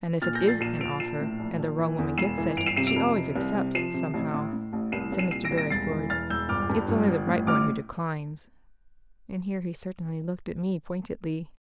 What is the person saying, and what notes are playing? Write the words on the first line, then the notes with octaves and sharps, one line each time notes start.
"And if it is an offer, and the wrong woman gets it, she always accepts, somehow," said Mr. Beresford; "It's only the right one who declines!" and here he certainly looked at me pointedly.
A#2 F6 A6
G6 A#6
A#1
A6 C7
A#1 C7 E7
F3 D7 F7
A#1 C7 E7
A2
A#1
A#1
E3
E2
E1 C7 E7
E3
G1 D7 F7
C7 E7
C3 C7 E7
D7 F7
F2
C3
C2
C3
F3 C7 E7
C3
A1
A2
A2
A1
C2 C7 E7
C2
C7 E7
A#2 C7 E7
A#6 D7
C2
A#6 D7
E1 A6 C7
E3
E1 F6 A6
E1 E6 G6
G1 D6 F6
G2
G1
G1
A2
A1 D6 F6